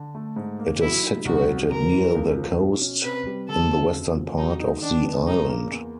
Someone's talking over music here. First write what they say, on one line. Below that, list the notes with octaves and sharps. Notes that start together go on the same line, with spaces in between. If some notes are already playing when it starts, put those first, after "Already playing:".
It is situated near the coast, in the western part of the island.
Already playing: D3
A3
G#2
A#3
F#3 E4
D#4
C2 F#4
F#3
E2 A#4
E3
C#2
F3
B2
C#4
C3 B4
G3
D3 A4
C4
F#2
F3
F#3 D#4
D#4
D#3 D4
B3
C#3 D#4
A#3
E2